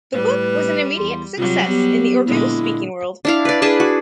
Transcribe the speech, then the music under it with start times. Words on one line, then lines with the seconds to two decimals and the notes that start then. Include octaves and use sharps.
The book was an immediate success in the Urdu speaking world.
0.13 A2 G3 B4
0.97 E2 C6
1.37 C3 F#3 G3 F4
1.69 B3 G4
2.27 A#2 D3 G#3 E4
3.25 D4 E4 F5
3.45 B4 D5
3.62 D4 G#4 B4 A5
3.80 F#4